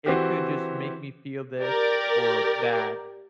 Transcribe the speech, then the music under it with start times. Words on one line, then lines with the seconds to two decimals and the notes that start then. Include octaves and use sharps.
it could just make me feel this or that.
0.06 E3 C4 F#4 G4
1.60 G4 A#4 D5